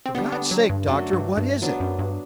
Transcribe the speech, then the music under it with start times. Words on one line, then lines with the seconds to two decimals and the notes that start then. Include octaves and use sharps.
"For God's sake, Doctor, what is it?"
0.06 C4
0.14 D3 G3 B3 D4
0.32 B3
0.51 F#3
0.69 G2
0.87 F#2 F#3 A3 D4 F#4
1.13 G2
1.37 G2
1.62 F#3 B3 D4
1.80 F#2
1.99 G2